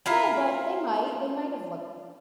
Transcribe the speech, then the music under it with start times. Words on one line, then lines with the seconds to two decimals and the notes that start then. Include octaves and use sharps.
No, but they might they might’ve look
0.06 E4 F4 E5 A#5